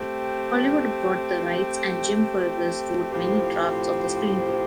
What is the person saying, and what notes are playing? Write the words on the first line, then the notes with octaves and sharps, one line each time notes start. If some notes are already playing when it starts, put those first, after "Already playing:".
Hollywood brought the rights and Jim Fergus wrote many drafts of the screenplay.
Already playing: A3 C4 G4
A2 F3 C4 G4 C5